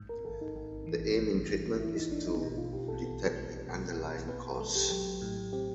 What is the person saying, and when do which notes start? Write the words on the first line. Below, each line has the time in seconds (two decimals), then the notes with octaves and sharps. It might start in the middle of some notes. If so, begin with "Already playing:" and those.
The aim in treatment is to detect the underlying cause.
Already playing: G#2
0.09 A#4
0.25 G#1 A4
0.41 D#4
0.56 G#1
0.87 E3
1.18 G#2
1.49 G#1
1.80 G#1 E4
1.96 D#4
2.11 E3 D4
2.27 D#4
2.42 B2 D#4
2.58 F4
2.73 B1 G4
2.88 A4
3.04 B3
3.36 G#3
3.67 B2
3.97 B1
4.28 B3 B4
4.60 G#3 A4
4.75 G4
4.90 F#3 G4
5.22 A2
5.53 C4 G4